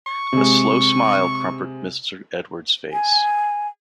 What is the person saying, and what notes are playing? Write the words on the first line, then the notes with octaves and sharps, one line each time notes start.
A slow smile crumpled Mr. Edwards's face.
C#6
C3 G#3
G#5